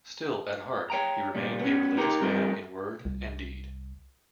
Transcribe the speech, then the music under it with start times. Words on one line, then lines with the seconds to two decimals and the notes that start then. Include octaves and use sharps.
Still, at heart, he remained a religious man in word and deed.
0.90 C#5 G5 A#5
1.35 A#2 G3
1.60 B3 C#4
1.98 D#4 G4 A#4 G5 A#5
2.22 G3 C4 F4 A4 A#4
3.05 C2